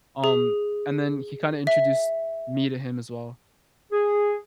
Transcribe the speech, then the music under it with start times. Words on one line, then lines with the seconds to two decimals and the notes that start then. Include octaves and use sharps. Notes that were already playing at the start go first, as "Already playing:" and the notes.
um, and then he kinda introduced me to him as well.
0.24 G#4
1.67 E5
3.92 G#4